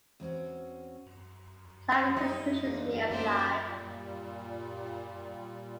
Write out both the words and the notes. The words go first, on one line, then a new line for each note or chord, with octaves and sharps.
Climbing restrictions may apply.
E2 C4 C#4 F#4
G3 D#4 E4
E2 A#3 D4
F#2 A3 A#3 G4 C5 E5
A#2 G3